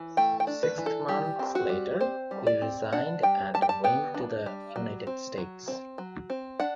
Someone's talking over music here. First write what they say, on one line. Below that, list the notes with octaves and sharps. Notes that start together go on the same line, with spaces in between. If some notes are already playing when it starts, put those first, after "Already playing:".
Six months later, he resigned and went to the United States.
Already playing: E3
A3 G5
G5
D4
B4
E3
A4
G3 G4
C4
F#4
G3
C4 C5
G3
D5
C4
D4 F#5
G3 G5
G3 A5
G5
A5
B3 G5
D4
G3
F#3
C4
F#3
C4
F#3
C4
D4 F#5